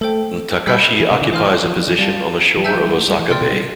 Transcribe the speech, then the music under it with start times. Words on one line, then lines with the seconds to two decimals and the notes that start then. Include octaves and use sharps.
Takaishi occupies a position on the shore of Osaka Bay.
0.01 A3 A4 C5 G5
0.67 G3 E5 B5 E6 G6
1.00 E3
1.11 C3
1.22 D3
1.33 E3 C5 F5 C6 F6
1.66 F3
1.76 F3
1.88 E3
1.98 G3 D5 F5 A5
2.57 F3
2.64 G3 E5 A5 E6 G6
2.75 F3
2.86 G3
2.97 A3
3.08 G3
3.19 E3
3.30 C3 D5 G5 C6 F6
3.41 B2
3.52 G3